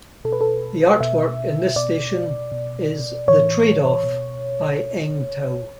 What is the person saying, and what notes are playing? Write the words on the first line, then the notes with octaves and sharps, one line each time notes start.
The artwork in this station is "The Trade-Off" by Eng Tow.
B2 A4
B4
A4
B2 E5
B2 D5
B2
A2 E3 C#5
B2